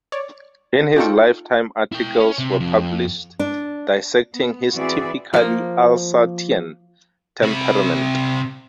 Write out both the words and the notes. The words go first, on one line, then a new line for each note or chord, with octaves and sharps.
In his lifetime articles were published dissecting his "typically Alsatian" temperament.
C#5 D5
D4 D#4 F4 A4 G5 C#6
E4 G5
C#4
C3
F2
D4
B3
E3 C4 F#4 G#4 D5 E5
F3 A#3
C3 B5